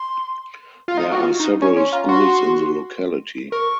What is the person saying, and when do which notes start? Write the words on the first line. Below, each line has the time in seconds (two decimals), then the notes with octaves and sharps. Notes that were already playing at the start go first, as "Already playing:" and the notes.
There are several schools in the locality.
Already playing: C6
0.88 F4
0.98 D#4
1.12 F#4
1.19 F4
1.40 D#4
1.61 C#4 C#6
1.76 C#4 C6
1.93 F4 A#5
2.09 F#4 C6
3.52 A#4 C#6